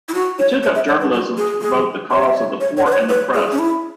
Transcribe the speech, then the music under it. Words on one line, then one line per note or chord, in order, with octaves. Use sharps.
He took up journalism to promote the cause of the poor and oppressed.
E4
F#4
C#5
C#5
E5
C#5
B4
F#4
G#4
G#4
C#5
E5
C#5
C#5
C#5
B4
C#5
B4
G#4
C#4
E4